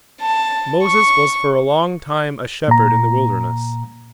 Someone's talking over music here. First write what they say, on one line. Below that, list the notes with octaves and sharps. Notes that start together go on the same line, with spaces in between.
Moses was for a long time a shepherd in the wilderness.
A5
C#6
A#2 A#5